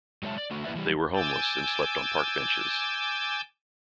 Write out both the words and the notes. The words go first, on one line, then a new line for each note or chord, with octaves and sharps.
They were homeless and slept on park benches.
F#3 G#3 C#5 E5 A5
D5
D3 A3 F#4
A#3 E4 B4 D5 E5
E3 G3
G#5 D6 E6 G6 A6